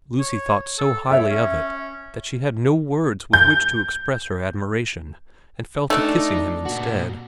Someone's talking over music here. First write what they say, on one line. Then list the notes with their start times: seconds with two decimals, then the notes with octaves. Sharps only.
Lucy thought so highly of it that she had no words with which to express her admiration, and fell to kissing him instead.
0.19 C#5
0.79 A4
1.10 A4 C#5 E5 G5
1.30 C#4
3.33 G6
5.90 A3 D4 D#4
6.66 A#2 F#4